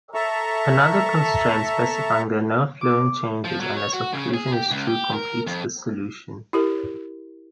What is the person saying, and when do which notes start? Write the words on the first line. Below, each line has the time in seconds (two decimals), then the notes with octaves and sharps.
Another constraint specifying that no fluent changes unless occlusion is true completes this solution.
0.14 A4 E5 A5 A#5 C#6
2.81 D6
3.45 F3
3.61 F#3
3.77 C#5
3.93 F#4
4.13 C#3
4.34 G#4
4.53 G4
4.71 C#2
4.87 G4
5.13 A#4
5.47 F2
6.53 E4 G4 A#4